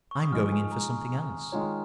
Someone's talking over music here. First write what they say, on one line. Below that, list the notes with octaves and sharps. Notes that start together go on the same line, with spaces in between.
I'm going in for something else.
C#6
D#6
F3 G#3 D#4 F6
G#5
A#5
C#6
C#6
G#5
D#3 G#3 F4 C#5 A#5